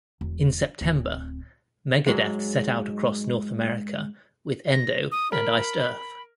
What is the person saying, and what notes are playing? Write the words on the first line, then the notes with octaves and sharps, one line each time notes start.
In September, Megadeth set out across North America with Endo and Iced Earth.
E1
D1 C4
G#2 F#3 G#3
A#6
D#6
A#4 B5